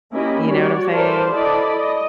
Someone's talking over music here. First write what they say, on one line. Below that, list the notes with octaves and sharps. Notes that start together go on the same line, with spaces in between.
You know what I'm saying?
A#3 C#4 E4 G4 D#5 B5
G3 F#4 G4 C#5 D5
A4 A#4 C5 D5 F5 B5
E4 A4 D5 D#5 B5
D#5